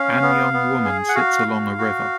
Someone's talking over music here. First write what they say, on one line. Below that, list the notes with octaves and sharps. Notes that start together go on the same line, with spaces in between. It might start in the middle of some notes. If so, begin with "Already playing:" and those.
An young woman sits along a river.
Already playing: C#4 F5
B3
B3
G#4
F#5
F#4 F5
F#4
F#4